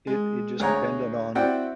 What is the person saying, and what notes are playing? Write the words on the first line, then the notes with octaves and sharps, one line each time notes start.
It it just depended on
G#3
D2 G#4 C#5 F#5 A#5
C4 E4 F#4 D5 F#5 G5